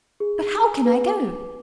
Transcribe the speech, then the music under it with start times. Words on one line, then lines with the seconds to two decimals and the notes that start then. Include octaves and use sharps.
But how can I go?
0.20 G#4
0.43 G#4
0.64 G#5
0.85 B4
1.07 D6
1.28 B4